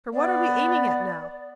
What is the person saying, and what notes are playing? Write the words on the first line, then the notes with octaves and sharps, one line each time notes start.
For what are we aiming at now?
B3 D5